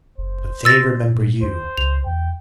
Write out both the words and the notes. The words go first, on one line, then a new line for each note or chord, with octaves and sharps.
But they remember you!
F#1 C5
B2 E6 A6 A#6
A#2
D#2 C5
C#2 F7
E2 G5